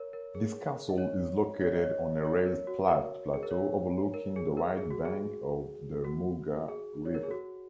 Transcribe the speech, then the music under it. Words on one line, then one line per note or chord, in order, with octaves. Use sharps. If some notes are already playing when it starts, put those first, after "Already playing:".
This castle is located on a raised plateau overlooking the right bank of the Muga River.
Already playing: A#4 C#5
A#4
G#4
D#5
C#5
C#5
D#5
C#5
C#5
A#4
F#4
A#4
G#4
A#4
C#5
A#4
G#4
A#4
G#4
F#4
G#4
F#4
G#4
C#5
A#4
G#4
F#4